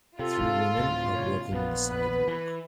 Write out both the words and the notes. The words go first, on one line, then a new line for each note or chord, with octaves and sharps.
Three women are walking on the sidewalk.
C3 F4 A4
D2 A2 C4
A2 C#3 C#5
A#1 B3
B4
E3